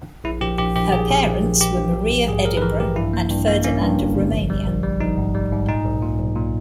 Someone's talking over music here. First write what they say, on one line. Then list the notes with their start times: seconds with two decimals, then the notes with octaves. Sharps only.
Her parents were Marie of Edinburgh and Ferdinand of Romania.
0.24 A#1 E4
0.41 A#1 G4
0.58 A#1 G4
0.75 A#1 G4
0.92 A#1 G#4
1.10 A#2
1.26 A#1
1.43 A#1
1.61 A#1 G4
1.77 A#1
1.95 A#1
2.11 A#1
2.28 G#2 G#4
2.45 A#1 A#4
2.57 B4
2.62 E3 A#4
2.80 A#1 G4
2.96 G2 E4
3.13 A#3
3.30 G2
3.48 A#3
3.64 A#3 C#4
3.81 G2
3.99 G1
4.16 G1
4.32 A#1
4.50 G3
4.66 A#1
4.83 G3
5.00 A#1 D#4
5.18 G#2
5.35 G3
5.52 G#2
5.68 A#2 D#4
5.85 B1
6.02 A#2
6.19 B1
6.36 A#2